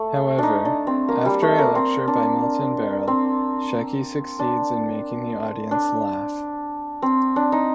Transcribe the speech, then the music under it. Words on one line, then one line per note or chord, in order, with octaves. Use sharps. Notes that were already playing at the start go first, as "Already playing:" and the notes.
However, after a lecture by Milton Berle, Shecky succeeds in making the audience laugh.
Already playing: A3
D4 D#4
D4
C4
A#3
G3
A3
A#3
C4
D4
C4
D4
D4
C4
D4
D#4